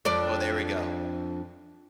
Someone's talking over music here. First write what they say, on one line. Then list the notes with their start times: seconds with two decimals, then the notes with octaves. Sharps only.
Well, there we go.
0.05 F2 D4 D5